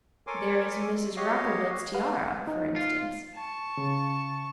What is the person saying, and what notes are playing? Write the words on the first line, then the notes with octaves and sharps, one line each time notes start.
There is Mrs. Rockerbilt's tiara, for instance.
A4 A#4 C#5 G#5 C6 D6
F#4 G4 C#5 D#5 F5
B4 F5 F#5
D#4
F4
A5 C#6
C#3